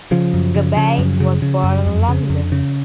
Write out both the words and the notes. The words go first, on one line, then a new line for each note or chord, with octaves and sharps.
Gubbay was born in London.
C#3 F3
F#2
C#3
C#3
F#2
C#3
C#3
F#2
F2
C#3
F2
C#3